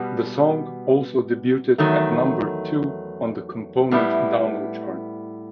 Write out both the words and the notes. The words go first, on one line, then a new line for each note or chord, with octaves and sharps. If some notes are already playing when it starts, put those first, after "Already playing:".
The song also debuted at number two on the component Download Chart.
Already playing: B2 G3 B3
E2 D#3 F#3 A3
A2 G3 B3 E4